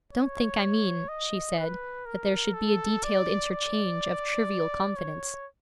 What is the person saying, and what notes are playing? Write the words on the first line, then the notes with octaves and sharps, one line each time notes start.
'Don't think I mean,' she said, 'that there should be a detailed interchange of trivial confidence.
C#5
D#5
B4
A#4
A4
D5
D5
C#5